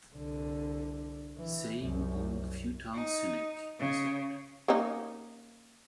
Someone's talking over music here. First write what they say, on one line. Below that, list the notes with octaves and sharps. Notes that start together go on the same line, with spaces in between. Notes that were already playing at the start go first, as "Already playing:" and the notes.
"Same old futile cynic," he said.
C2 D3
E3
C2 F#2
D#4
C#3
A#3 C#4 D#4